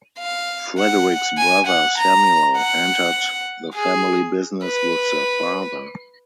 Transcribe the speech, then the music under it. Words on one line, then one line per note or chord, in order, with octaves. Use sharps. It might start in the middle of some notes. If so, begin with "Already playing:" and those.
Frederick's brother Samuel entered the family business with their father.
F5
F#5
G#5
F#5
A#5
F#5
G#4
B4